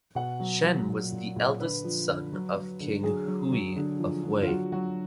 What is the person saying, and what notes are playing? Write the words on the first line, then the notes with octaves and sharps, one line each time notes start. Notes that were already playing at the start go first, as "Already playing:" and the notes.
Shen was the eldest son of King Hui of Wei.
B2 F#5
F#3
F#3
A#2
A#2
A#2
D3 B4
F3
D3
F#3
F#3
D3
F#3 G#4
F#3
F#3
D3
F3
D3
F4
F#3 F#4
F#3 F#4